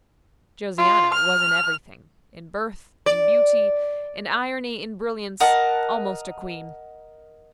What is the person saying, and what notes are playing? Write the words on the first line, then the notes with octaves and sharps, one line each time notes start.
Josiana was in everything--in birth, in beauty, in irony, in brilliancy--almost a queen.
F4
F6
D5
A#4 D#5 F#5 A5